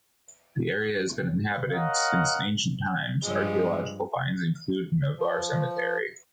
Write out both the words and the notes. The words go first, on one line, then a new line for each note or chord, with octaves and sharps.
The area has been inhabited since ancient times; archaeological finds include an Avar cemetery.
A#4 C#5 D#5 F5 F#5
G2 F3 G#3
F3